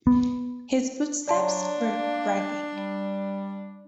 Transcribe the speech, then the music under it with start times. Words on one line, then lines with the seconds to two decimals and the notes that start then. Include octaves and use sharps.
His footsteps were dragging.
0.07 B3
1.28 F#3 D4 D5 A5 C6
1.78 A#3
2.74 G3